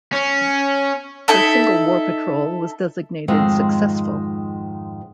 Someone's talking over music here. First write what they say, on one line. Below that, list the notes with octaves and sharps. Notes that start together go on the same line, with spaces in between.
Her single war patrol was designated "successful".
C#4
D#4 E4 A4 E5
F2 G#2 D#3 G#3 C5